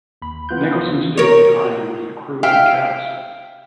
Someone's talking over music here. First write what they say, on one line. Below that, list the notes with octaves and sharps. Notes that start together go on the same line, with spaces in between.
Nicholson stayed behind with the crew and cast.
D#2 B5
E3 B3 F4 F#6 G6
A#4 C#5
E5 F5 G5